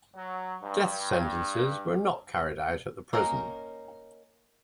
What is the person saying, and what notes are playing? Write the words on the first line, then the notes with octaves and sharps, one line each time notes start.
Death sentences were not carried out at the prison.
F#3
G2
A#3 C#4 D#4 A#4